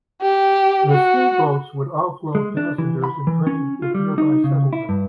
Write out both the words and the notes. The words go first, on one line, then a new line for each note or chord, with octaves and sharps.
The steam boats would offload passengers and trade with nearby settlements.
G4
F#4
G#3
D4
E3
B5
E3
C#4
F4
G3
D#4
C#3
E4
G2